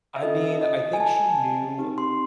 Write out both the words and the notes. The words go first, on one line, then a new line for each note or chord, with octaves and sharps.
I mean, I think she knew
E5
C#4 F4 A4 D#5
D#5
G#5
A5
C4 D#4 G4
C6